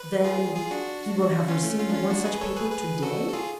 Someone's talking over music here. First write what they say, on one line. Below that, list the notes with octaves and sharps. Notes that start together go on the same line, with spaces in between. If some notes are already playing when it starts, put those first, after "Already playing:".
"Then he will have received one such paper to-day?"
Already playing: B4
F4 G#4
F4 G#4
D4 F#4
C#4 F4
A3 C#4
C#4 F4
D4
C#4 F4
D4 F#4
G#4 B4
A4 C#5
G#4 B4
G#4 B4
F#4 A4
A4
F4 G#4